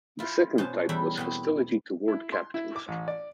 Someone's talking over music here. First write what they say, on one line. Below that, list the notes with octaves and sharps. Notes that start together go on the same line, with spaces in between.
The second type was hostility toward capitalism.
E4 F4
B2 C#4 C5 A5
E2 G3 E4 E5 G5
B2 B3 C4
E4
C6
E4
D6
A1
D5